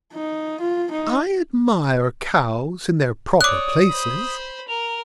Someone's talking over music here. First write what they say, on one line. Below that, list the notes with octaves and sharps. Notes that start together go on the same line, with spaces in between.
I admire cows in their proper places.
D#4
F4
D#4
C#5 D5 D6 D#6 F#6
C5 B5
A#4 F7